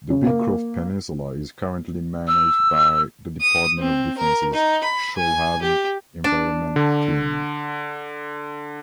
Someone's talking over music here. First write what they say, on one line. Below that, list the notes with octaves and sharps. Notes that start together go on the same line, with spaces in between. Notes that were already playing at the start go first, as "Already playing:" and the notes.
The Beecroft Peninsula is currently managed by the Department of Defence's Shoalhaven Environment Team.
C#3
A#3
E6
D#6
C4
A#4
D#4
B5
G#5
G4
D4
D3